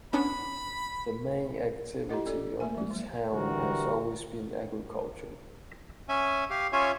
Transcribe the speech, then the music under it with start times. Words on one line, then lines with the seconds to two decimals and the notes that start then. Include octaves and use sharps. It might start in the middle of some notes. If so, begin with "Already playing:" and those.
The main activity of the town has always been agriculture.
0.13 B3 C#4 D4 B5
2.09 E4 F4 G4 D#5 F#5
2.26 C#4 A4 D5
2.60 A3 A#3 G#5
2.75 F3 G#3
2.91 F#3 A#3
3.33 D3 E3 G3 F#4 A#4
6.09 C#4 E5 G#5
6.50 G4 F5
6.72 C#4 F4 C#5 E5 G#5